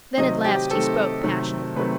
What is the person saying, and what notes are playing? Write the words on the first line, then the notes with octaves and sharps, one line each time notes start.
Then at last he spoke passionately.
C3 D#3 F#3 A3 C4 D#5
G4
C3 D#3 F#3 A3 C4 A4
C3 D#3 F#3 A3 C4
C3 D#3 F#3 A3 C4 B4